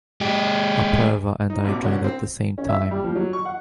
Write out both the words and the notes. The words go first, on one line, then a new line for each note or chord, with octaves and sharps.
Apurva and I joined at the same time.
G#3 G4
D#4
A1 B2 D6
C2 C#4 D4 F#4
C4
C#4
E5
G3
F3
F#3
C#6
F#5